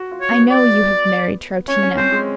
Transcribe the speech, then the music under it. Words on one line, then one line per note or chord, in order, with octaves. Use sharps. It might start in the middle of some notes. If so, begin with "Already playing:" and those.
I know you have married Troutina.
Already playing: F#4
F4
C#5
B3
D5
C#4 C#5
C#4
C4 C5
G#3